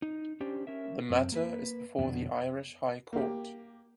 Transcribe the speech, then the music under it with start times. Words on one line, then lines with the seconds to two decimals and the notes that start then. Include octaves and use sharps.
The matter is before the Irish High Court.
0.02 D#4
0.40 C#4 D4 G4 C5
0.67 C#4 A#4 E5
1.10 F#2 C4
1.32 A#3 A4 B4
1.99 F2 B2 D3 D4
3.13 A#3 G4